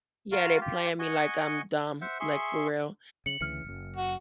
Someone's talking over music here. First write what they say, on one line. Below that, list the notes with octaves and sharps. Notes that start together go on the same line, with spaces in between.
yeah, they playing me like I'm dumb, like, for real,
F4 F#4 A#4 F5
F4 G4
D#5 F#5 G#5 C#6
C5 E5 F#5
G#4 E5 C6 C#6
C#3 C#7 F#7
D2 C#3 E3 F6 C#7
F#1 F#2
F#4